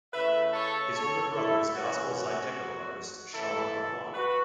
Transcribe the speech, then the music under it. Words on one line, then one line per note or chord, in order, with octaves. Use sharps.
His older brother is Gospel zydeco artist Sean Ardoin.
C#3 A3 E4 B4 E5
A4 C#5
A4 C#5
E4 A4
F#2 E3 C#4 F#4
F#4
C#3 E3 A3 E4 A4
F#4 B4